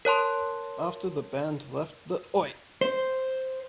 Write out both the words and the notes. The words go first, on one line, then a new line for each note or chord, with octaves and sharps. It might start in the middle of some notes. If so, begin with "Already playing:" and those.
After the band left the Oi!
A#4 C#5 A5 C6
C5